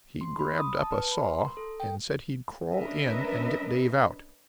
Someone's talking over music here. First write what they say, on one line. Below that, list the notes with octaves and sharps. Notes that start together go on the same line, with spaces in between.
He grabbed up a saw, and said he'd crawl in and get Dave out.
C6
B5
D#6
A5
B4
B5
C6
A#4
A4
G5
C#4 D4 A#4 B4 D#5 E5